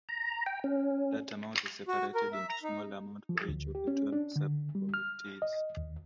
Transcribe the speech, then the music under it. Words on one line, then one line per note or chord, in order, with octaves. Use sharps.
That amount is separated into smaller amounts for each of the twelve Subcommittees.
A#5
G5
C#4
F#4
A#4
E5
A#5
D#4
F3
D2
G4
C#4
D4
D3
G3
F6
D#5
D#2